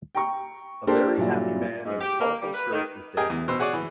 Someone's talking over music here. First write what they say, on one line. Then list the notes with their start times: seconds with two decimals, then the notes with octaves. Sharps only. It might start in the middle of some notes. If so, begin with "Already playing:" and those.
A very happy man in a colorful shirt is dancing.
0.15 G5 A#5 C#6
0.87 A#3 D4 G4 A4 A#4 C5
1.17 G2 A#2 F#3 E4
1.85 G#2
2.01 G4
2.20 A#3
2.41 G3
2.54 B4
2.72 D#3
3.17 G4 G#4 A#4 D#5 G#5
3.30 E2
3.48 B2 C5 E6
3.60 F#4 G#4 C#5 D5
3.73 E3